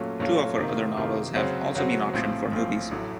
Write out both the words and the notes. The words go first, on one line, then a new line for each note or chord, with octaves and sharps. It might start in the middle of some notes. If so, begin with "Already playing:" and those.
Two of her other novels have also been optioned for movies.
Already playing: A#2 F#3 A3 C#4 F4
A#2 F#3 A3 C#4 F4
C3 D#3 A#3 F4
C3 D#3 A#3 F4
C#3 F#3 C4 F#4 C5
C#3 F#3 C4 F#4 C5
A#1 A2 F3 C4 F4
A#1 A2 F3 C4 F4
A1 A2 F#3 A3